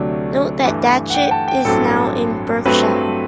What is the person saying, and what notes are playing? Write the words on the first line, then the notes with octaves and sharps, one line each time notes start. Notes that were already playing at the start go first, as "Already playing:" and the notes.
Note that Datchet is now in Berkshire.
Already playing: D2 C3 F#3 A3 D4
G2 E3 A3
F#5
G5
A5
G5
A1 G2 F#3 C4 A4
G2 F#3 A3 C4 B4